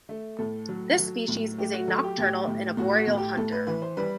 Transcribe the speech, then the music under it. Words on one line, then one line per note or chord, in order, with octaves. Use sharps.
This species is a nocturnal and arboreal hunter.
A3
A2 A4
F#3
F#3
A2
A3 G4
F#4
F#3 A4
G4
A2 G4
A2
A2 F#4
F#4
A2
G4
A2 A4
B4
E3 B4
C5
G3 B4